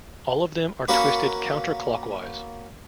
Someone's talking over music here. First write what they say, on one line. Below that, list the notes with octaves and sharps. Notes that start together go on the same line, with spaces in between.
All of them are twisted counterclockwise.
A#3 C#4 F#4 B4